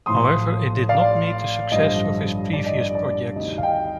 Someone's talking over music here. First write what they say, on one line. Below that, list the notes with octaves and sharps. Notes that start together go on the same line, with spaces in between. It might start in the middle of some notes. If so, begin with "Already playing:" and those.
However, it did not meet the success of his previous projects.
A1 A2 F3 C6 D#6
D5 F5
A1 G2 D3 F3 D#5
D5
D#5
D5
D5
D2 C3 D#3 D#5
F5
D#5 G5